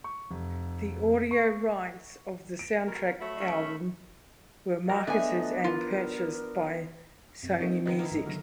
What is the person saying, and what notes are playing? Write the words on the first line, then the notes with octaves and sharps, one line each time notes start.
The audio rights of the soundtrack album were marketed and purchased by Sony Music.
C#6
F1
C#6
D7
B2 A#4
F#3 A3 E5 B5
C#4
F#3 F#4 A#4 D#5
A3 B3 D4 G#5
F4 A#4
F#2 C3
A3 A#3 C4 D#4
D3 D#3 B3 A#4 D#5
A#3 E4
G1 G#2 E3 A3
D3 D#3 F#3 F6 A#6